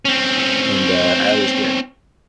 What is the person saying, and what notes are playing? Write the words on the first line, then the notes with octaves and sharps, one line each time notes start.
And, uh, I always get
C4 C#4